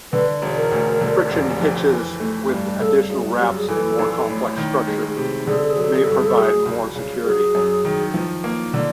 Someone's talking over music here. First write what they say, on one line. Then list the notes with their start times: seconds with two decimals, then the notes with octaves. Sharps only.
Friction hitches with additional wraps and more complex structure may provide more security.
0.12 D3 B4
0.42 E1
0.57 A#4
0.72 D2
1.01 D3
1.31 F1
1.61 F2
1.90 E3
2.20 A3
2.50 G2
2.80 C#3 A4
3.09 F#3 G#4
3.39 F#2 G4
3.58 G#4
3.69 E3 A4
3.99 A#1
4.29 A2
4.57 D#3
4.87 G#3
5.17 C3
5.47 D3 G#4
5.58 A4
5.70 G#4
5.77 F#3 A4
5.92 G#4
6.03 G2 A4
6.15 G#4
6.26 A4
6.36 F#3 G#4
6.66 C#2
6.96 C#3
7.25 F#3 G#4
7.55 F#2
7.85 D#3
8.14 F3
8.44 A#3
8.74 D3